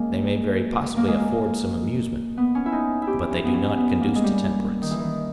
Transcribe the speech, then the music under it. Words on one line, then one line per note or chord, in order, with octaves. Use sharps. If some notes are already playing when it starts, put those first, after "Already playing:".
They may very possibly afford some amusement, but they do not conduce to temperance.
Already playing: G#3 A#3 C#4
A#3
G#3
A#3
B3
C#4
E4
D#4
E4
G4
C#4
B3
C#4
B3
A#3
G#3
G3
D#3
E3
D#3